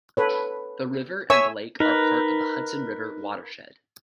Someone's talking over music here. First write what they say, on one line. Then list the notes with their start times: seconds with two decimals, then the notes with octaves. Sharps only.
The river and lake are part of the Hudson River watershed.
0.17 A4 B4 C#5
1.30 C#5 E5 G#5 E6
1.80 D#4 A#4 B4